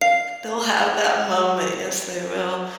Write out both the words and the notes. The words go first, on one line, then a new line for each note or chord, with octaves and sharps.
They'll have that moment, yes they will.
F5 C7